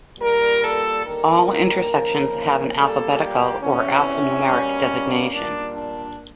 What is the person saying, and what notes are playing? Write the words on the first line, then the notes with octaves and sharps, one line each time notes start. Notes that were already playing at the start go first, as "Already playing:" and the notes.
All intersections have an alphabetical or alphanumeric designation.
A#2 G3 A#3 A#4
A4
D#2 D3 G3 A#3 A#4
D#2 C#3 F3 A#3
A#2 G3 A#3 A4
G4
E2 C3 E3 C#4
B2 G3 A#3
A#2 G3 A#3 D4
D4